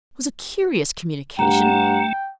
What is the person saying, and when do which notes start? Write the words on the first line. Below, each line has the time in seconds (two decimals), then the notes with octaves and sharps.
It was a curious communication.
1.39 G2 A3 F#5 G5 A#5